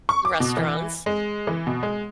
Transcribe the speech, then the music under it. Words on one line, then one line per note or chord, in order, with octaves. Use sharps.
The restaurants.
C#6
D6
B2
E3
G#3
E3
B2
G#3